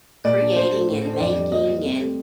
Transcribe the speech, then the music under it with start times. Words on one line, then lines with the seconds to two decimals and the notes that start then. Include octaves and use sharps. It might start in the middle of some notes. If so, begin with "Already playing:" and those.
creating and making and
0.25 A#2 D5
0.41 D4
0.56 D4 C5
0.73 A3
0.88 A2
1.05 D4
1.14 C5
1.20 F2 D5
1.36 G3
1.52 A#3 D#5
1.68 G3
1.84 C4
1.99 A3